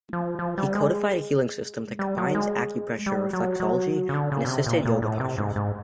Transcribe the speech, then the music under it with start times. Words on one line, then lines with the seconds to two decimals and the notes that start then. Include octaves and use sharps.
He codified a healing system that combines acupressure, reflexology, and assisted yoga postures.
0.13 F3
0.39 F3
0.58 G3
0.75 G#3
1.99 G3
2.18 F#3
2.35 G#3
3.06 G3
3.33 F#3
3.60 F#3
4.09 C#3
4.14 D3
4.32 C#3
4.45 B2
4.48 C3
4.67 A#2
4.85 A#2
5.02 A2
5.20 C3
5.38 G#2
5.56 G#2